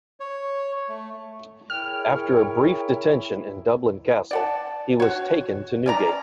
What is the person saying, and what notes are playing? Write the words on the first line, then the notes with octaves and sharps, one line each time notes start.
After a brief detention in Dublin Castle, he was taken to Newgate.
C#5
A3
E4 G#4 A#4 C#5 G5 F6
D5 F#5 A5
F#4 C#5
C#4 D5 A#5